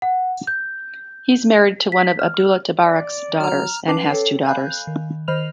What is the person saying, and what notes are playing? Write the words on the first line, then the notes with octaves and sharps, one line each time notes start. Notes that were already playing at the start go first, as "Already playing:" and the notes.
He is married to one of Abdullah Tabarak's daughters, and has two daughters.
F#5
G6
B6
F6
D5
F#3 A#5 F6
C#4 B4 A5 D6 C7
A4 C#5 G5
F5 G#5 B5 F#6 G6
D#3
D#3 C5 D#5 B5 F6 F7